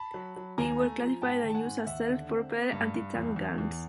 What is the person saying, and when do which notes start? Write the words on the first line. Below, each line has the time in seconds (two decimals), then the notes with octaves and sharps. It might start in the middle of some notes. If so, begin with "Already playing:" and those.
They were classified and used as "self-propelled anti-tank guns".
Already playing: A5 B5
0.14 F#3
0.36 F#3
0.58 D#2 G#5 A#5
0.79 A3
1.00 F3
1.22 G#2 G5 A5
1.44 D#3
1.49 A5
1.55 F#5 G#5
1.65 G#2
1.86 D#2 E5 F#5
2.09 D3
2.29 C4
2.51 A#3
2.73 G2
2.94 G2
3.15 E2
3.36 E2
3.58 E2